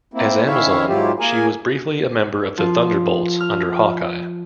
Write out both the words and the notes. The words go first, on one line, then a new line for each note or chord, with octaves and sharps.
As Amazon, she was briefly a member of the Thunderbolts under Hawkeye.
A#3 C4 E4
D#3 C#4 E4 C#5 E5 F5
G#2 F#3 E4 F4 G4
A#3 G#4 A#4 G#5
F3
F6